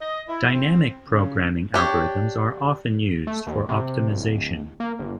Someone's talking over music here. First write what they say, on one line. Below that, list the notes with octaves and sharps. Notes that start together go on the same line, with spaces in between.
Dynamic programming algorithms are often used for optimization.
D#5
E4
C4
C#3
D4 G4 C#5
A3
D#2
C3
D1
A#3
G1